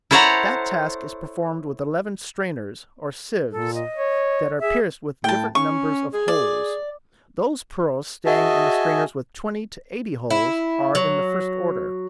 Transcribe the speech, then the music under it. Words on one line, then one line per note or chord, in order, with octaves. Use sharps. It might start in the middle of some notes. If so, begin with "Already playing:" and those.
That task is performed with eleven strainers, or sieves, that are pierced with different numbers of holes. Those pearls staying in the strainers with twenty to eighty holes are in the first order.
E4 A4 C5 C#5 F#5 A#5
A#2 A4
D#5
C#5
G#4 E5
A2 G5 A5
C#4 C#6
G#4
D5
F#4 G#4 D#5 E5 G#5 A5
E4
F#3